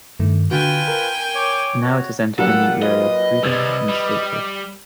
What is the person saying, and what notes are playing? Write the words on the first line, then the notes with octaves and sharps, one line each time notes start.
Now it has entered a new era of freedom and statehood.
G2 D#3 A3
D3 F4 F#4 B4 G5 G#5
A#4
C#5 D6
F#4 C#5
F#3 G3 A#3 F4 A4 F#5
B4 D#5
C3 G3 D#5 E6 G#6 A6
G3